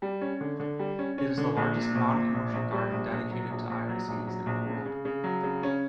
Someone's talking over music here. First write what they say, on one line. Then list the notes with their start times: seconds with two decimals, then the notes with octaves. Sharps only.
It is the largest non-commercial garden dedicated to irises in the world.
0.02 G3
0.21 C#4
0.41 D3
0.60 D3
0.79 G3
0.99 C#4
1.18 C#4
1.38 D3
1.57 A#1
1.77 A#2
1.95 A#1
2.15 A#2
2.34 A#1
2.53 A#1
2.73 G3
2.92 A#1
3.11 A#1
3.31 F#3
3.50 A#1
3.69 A#1
3.89 F#3
4.08 A#1
4.27 F#3
4.46 A#1
4.66 C#3
4.86 C#3
5.05 C#3
5.24 F#3
5.43 C#3
5.63 C#4